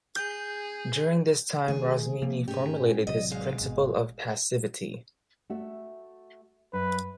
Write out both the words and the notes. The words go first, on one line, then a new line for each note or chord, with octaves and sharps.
During this time Rosmini formulated his "Principle of Passivity".
G#4 G6
D#3 A3 G#4
C3 F3 A#3
G#2 A3 C#4 G4 G#4
A1 C3 F#3 D#5
G#2 G#3 F5
G#1 B2
A3 F#4 E5
F#2 B4